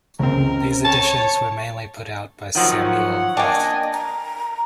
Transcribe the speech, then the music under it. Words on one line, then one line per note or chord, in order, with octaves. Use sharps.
These editions were mainly put out by Samuel Roth.
C#2 C#3 C4 A#4
C#5 A5
D#3 F3 F#3 C#5 F#5
A#3 D4 D#5 G5 G#5
A#5